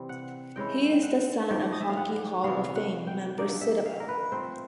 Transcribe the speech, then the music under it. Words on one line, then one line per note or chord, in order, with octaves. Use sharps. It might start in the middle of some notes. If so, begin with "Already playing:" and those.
He is the son of Hockey Hall of Fame member Sid Abel.
Already playing: C3 E3 G3 C4
F#5
E3 G#3 C#4 E4 G5
G5
F#5
G#2 F3 A3 D4 G5
D#5
E5
F5
F#5
C3 E3 G#3 B3 F5
F5
F#5
G5
D3 F3 A#3 D#4 D5
E5
F5
A#4
B4
F3 A3 C4 C5